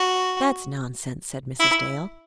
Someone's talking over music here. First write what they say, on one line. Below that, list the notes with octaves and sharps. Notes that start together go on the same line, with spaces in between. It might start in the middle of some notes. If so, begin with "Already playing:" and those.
"That's nonsense," said Mrs. Dale.
Already playing: F#4
E4